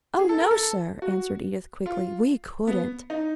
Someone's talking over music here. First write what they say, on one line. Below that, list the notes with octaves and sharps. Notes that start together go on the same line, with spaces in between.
"Oh, no, sir," answered Edith quickly, "we couldn't."
G#4
A4
A#4
A4
F#4
F4
B3
D#4